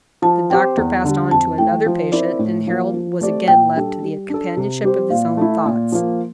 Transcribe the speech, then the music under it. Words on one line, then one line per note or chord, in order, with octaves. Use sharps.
The doctor passed on to another patient, and Harold was again left to the companionship of his own thoughts.
F3 A5
C4 G4 C5 G5
E2
D3 G3
F2 A5
E3 A3 G5
F3
C4 E4 A#4 D5
A2
F3 A#3
F3
A3 C4 G4 D5
A#2 G5
G3 D4 A4
G3
D4 A4
C3
G3 C4 G4 C5
A#2 F5
A3 E4
A#2
F3 A#3